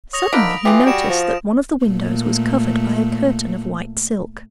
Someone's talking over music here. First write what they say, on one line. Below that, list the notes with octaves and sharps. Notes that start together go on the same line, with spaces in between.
Suddenly he noticed that one of the windows was covered by a curtain of white silk.
C#5 D#6 A#6 F7
D3 A#3 D#4 B5 D7
E3 F4 G4 G#4
G3 F#4 D7 E7
F3
A#2 A3